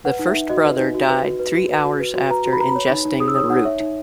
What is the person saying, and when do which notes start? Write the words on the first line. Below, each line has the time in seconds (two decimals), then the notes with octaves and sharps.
The first brother died three hours after ingesting the root.
0.05 B4 F#5
0.19 D#4
0.27 E5
0.34 D#4
0.49 F#4 D#5
0.65 B4
0.79 D#4
0.95 F#4
1.09 B4
1.24 F#4
1.39 B4
1.55 F#4
1.70 B4
1.85 F#4
2.00 B4
2.15 F#4
2.30 B4 A#5
2.46 F#4
2.53 B5
2.59 B4 A#5
2.69 B5
2.75 C#5
2.90 D#4
3.05 D#4
3.20 G#4 D#6
3.28 E6
3.35 C#5 D#6
3.50 D#4 F#5
3.65 C#5 E5
3.80 D#4